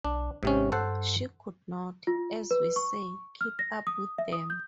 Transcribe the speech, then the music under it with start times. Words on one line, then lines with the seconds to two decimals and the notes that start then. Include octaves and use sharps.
She could not, as we say, keep up with them.
0.05 B1 D4
0.43 G#1 G#2 C3 C#4
0.72 G2 A4 C5 F#5
2.07 F4
2.51 B4
2.76 C#6
3.41 F6
3.59 A#6
3.87 D#6
4.18 E5
4.33 D#6
4.50 G6